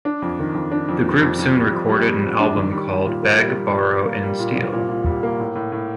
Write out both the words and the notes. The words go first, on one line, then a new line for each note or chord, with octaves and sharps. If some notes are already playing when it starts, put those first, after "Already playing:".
The group soon recorded an album called "Beg, Borrow and Steal".
D4
F2
D#3
F2
D4
F2
G3
F2
F2
G3
F2
G3
G3
F2
D4
D#3
G3
G3
A#2
A#3
G3
G3
G3
G3
A#3
G3
A#2
C2
A#2
A#2
G3
A#3
A2
A2
A2